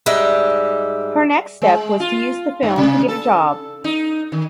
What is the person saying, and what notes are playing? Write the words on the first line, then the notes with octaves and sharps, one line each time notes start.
Her next step was to use the film to get a job.
G#2 G3 G#3 G4 E5
G#3
F4
G2
C3
A4
D#4
D#3